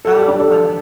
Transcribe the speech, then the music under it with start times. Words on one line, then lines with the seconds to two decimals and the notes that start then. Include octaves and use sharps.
Oh, funny.
0.05 A4
0.16 G4
0.28 D4
0.40 A4